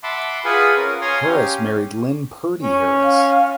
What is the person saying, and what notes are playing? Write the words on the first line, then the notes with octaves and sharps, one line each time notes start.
Harris married Lynne Purdy Harris.
E5 F#5 A5 B5 C6 D6
F4 G#4 B4 F#5 G#5
C#4 A#4
C#5 F5 G#5 A#5 C6 D#6
C#4 G4
C#4
F5